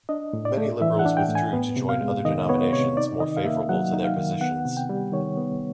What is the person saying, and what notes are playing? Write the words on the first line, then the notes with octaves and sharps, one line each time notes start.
Many liberals withdrew to join other denominations more favorable to their positions.
D4 D#5
A2
D5
A3
E3 E5
F#5
D4
G5
A2
G#5
B3
C3
F5
G#3
D#3 D#5
B3 C#5
C3 C#5
D#4 D5
D#3 D#5
F5
A#3 E5
F#3 F#5
D#4
F5
D#3
B3 F#5
C3
G5
G3
D#3 C#5
B3